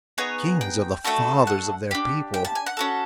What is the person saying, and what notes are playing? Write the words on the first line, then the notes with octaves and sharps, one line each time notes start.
Kings are the fathers of their people.
B3 D#4 G#4 C#5
G5
A3 D4 F#4 A4
F#5
D4 G4
G5
A5
G#5
F#5
C#4 F#4 A4